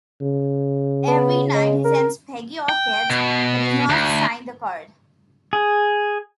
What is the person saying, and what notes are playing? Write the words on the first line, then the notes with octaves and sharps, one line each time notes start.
Every night, he sends Peggy orchids, but does not sign the card.
C#3
B3
G#3
A#4
G5
B2
D2
G#4